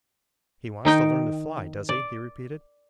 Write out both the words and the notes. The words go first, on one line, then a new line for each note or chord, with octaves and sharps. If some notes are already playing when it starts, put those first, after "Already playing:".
"He wants to learn to fly, does he?" he repeated.
D#3 D#4 G5
D5